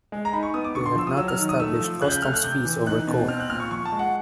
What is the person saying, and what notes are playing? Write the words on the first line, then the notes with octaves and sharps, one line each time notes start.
They had not established customs fees over coal.
G#3
A#5
D#4 B5
C#6
B3 D#6
D6
D3 C#6
C6
F3 E6
D#6
F#3 E6
F6
D#3
D#6
A3 E6
F3
C#3 F#6
G6
F#6
A3 F6
F#6
C3 G6
E3
D#4 F#6
B2
C4 F6
F#6
A#2 F6
C#6
F3 C#6
A5
G#3
F#5